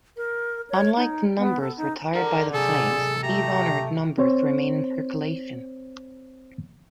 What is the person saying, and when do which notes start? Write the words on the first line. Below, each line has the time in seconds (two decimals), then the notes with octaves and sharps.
Unlike the numbers retired by the Flames these honoured numbers remain in circulation.
0.17 A#4
0.70 C#5
0.97 D#4
1.38 B3
1.61 A4
1.77 D#4
2.15 D3 G#4 A#4 F#5
2.54 C3 F#3 G#4 A4
3.23 A3 G4 A#5
4.18 C4 C5 C#5